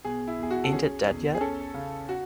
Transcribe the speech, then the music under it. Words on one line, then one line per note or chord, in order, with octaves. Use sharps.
Ain't it Dead Yet?
B2 G#4
E4
E2 G#4
F#4
A4
C#4 G#4
E2
G#4
C#4 A4
C#3
F#4